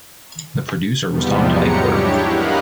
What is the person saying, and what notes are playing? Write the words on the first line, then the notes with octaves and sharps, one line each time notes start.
The producer was Tom Tykwer.
E2 G#2 C3 F3 G3 B3
F#3 G#3 G4 A#5 C#7
D4 E4 G4 C#5
A#4 D#5 F5 F#5 B5 F#6